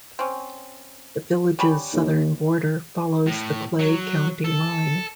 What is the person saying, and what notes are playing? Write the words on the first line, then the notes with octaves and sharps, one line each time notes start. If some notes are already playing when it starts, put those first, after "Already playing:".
The village's southern border follows the Clay County line.
C4 C#4
G3 C#4 B5
D#2
A2
F#3
A4